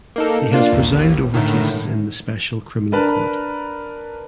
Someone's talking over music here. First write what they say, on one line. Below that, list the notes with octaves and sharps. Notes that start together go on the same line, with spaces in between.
He has presided over cases in the Special Criminal Court.
A#3 D#4 A4
A#3 D4 F4
A1 D#2
A2 D3 D#3
D4 A#4 B4 A5